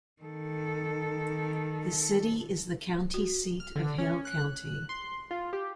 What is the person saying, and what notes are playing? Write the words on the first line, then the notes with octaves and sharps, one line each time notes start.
The city is the county seat of Hale County.
D#3 A4
F#4
F6
D3
C#4
F#6
C6
F4
G4